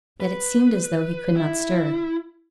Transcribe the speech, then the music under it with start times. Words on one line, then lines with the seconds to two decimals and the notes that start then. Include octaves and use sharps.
Yet it seemed as though he could not stir.
0.20 B4
1.36 E4